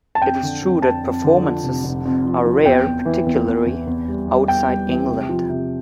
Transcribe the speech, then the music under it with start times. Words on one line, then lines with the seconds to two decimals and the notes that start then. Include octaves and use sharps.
It is true that performances are rare, particularly outside England.
0.15 A5
0.21 F2 G5
0.43 D3
0.62 F2
0.82 F2 A5
1.04 F2
1.24 D3
1.43 F3
1.63 F1
1.84 F1
2.05 F2
2.25 F3
2.46 F3
2.66 E2 G5
2.86 E2
3.05 E3
3.26 E2
3.47 E2
3.66 E2
3.87 E2
4.08 G3
4.28 G3
4.48 E2 G5
4.69 G3
4.89 E3
5.09 C3
5.29 F3
5.49 C3